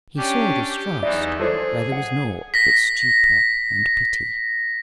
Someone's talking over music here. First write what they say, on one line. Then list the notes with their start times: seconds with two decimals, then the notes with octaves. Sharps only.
He saw distrust where there was naught but stupor and pity.
0.17 C#4 D4 G4
0.69 G4
1.02 E2 E3 D#4 D5 E5
1.39 G#4 A4 C5 D5
1.92 F#5
2.54 A#6 B6